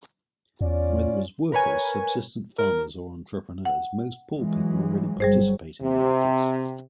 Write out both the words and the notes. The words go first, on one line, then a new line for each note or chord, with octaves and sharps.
Whether as workers, subsistence farmers or entrepreneurs, most poor people already participate in markets.
E2 C#4 F4 D5
A#4 B4 C#5 G#5
A#4
F#5
E3 F#3 G#3
G1 F#3 G3 G#4 C5
C3